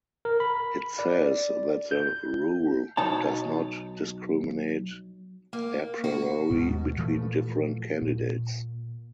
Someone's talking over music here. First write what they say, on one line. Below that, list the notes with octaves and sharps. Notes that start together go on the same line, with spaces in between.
It says that the rule does not discriminate apriori between different candidates.
A#4
B5
D5
G6
B1 B2 D#4 C#5 A5
A#3
F#4
D#2 G#2 B2
A#2 E3 F3 A3
A#2